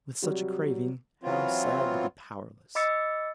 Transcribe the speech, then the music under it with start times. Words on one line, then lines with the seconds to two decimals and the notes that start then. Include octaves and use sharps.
With such a craving, how sad to be powerless!
0.22 C3 F#3 G3
1.23 E3 F#3 B3 C4 F4
2.75 D#5 B5 D6 E6 A6 C#7